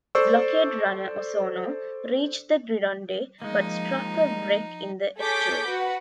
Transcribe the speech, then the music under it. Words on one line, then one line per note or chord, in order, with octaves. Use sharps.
The blockade runner "Osorno" reached the Gironde, but struck a wreck in the estuary.
A4 C5 D5 C#6 E6
F3 G#3 A#3 D#4
G#4 A4 C#5 D6 G6 B6
F#4 B4 F#5